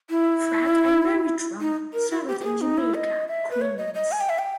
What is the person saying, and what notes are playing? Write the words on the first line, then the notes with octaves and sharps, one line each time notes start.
Fred and Mary Trump settled in Jamaica, Queens.
E4
D#4
A#4
E4
G4
G4
G#4
D#4
E4
D#5
E5
B4
C#5
D#5
D#5
G#5
G5
E5
G5